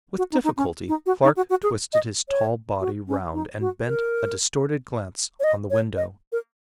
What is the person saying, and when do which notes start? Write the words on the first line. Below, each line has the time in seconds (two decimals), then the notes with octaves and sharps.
With difficulty Clark twisted his tall body round and bent a distorted glance on the window.
0.18 F#4
0.32 D#4
0.44 D#4
0.57 C#4
0.88 D#4
1.06 F#4
1.24 D#4
1.37 F#4
1.50 F#4
1.63 G#4
1.93 D#5
2.29 C#5
2.81 F#4
3.08 C#4
3.34 D#4
3.60 F#4
3.87 A#4
5.40 C#5
5.44 D#5
5.70 C#5
5.97 D#5
6.32 A#4